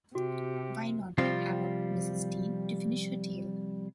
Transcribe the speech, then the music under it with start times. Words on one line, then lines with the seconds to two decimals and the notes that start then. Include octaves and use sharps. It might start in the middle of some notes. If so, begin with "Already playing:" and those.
Why not have up Mrs. Dean to finish her tale?
0.15 C3 F#4 G4
1.18 C3 F3 G3 C4 F4